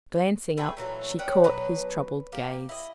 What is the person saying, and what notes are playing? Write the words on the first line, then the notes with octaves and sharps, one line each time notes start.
Glancing up, she caught his troubled gaze.
A3 G#4 B4 G5
A#2 E3 F#3 A3
C#4 D5 F#5 G5
B2 F#3 B4
A#3 G4
E4 D#5